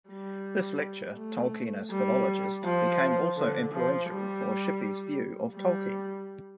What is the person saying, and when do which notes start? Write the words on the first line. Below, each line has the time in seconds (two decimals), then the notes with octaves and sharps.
This lecture, "Tolkien as philologist" became also influential for Shippey's view of Tolkien.
0.09 G3
1.18 A3
1.91 G3
2.65 F3
3.37 D3
3.74 F3
4.10 G3
5.56 G3